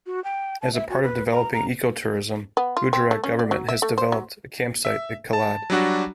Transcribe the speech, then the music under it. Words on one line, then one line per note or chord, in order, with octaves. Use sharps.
As a part of developing ecotourism Gujarat Government has developed a campsite at Kilad.
F#4
G5
A5
E5
F#4
B4
A#5
A#5
B3
F4
C4
A3
C#4
D5
F#3
E5
A3
C5
F#3
E5
A5
F#3 G3 D4 F#4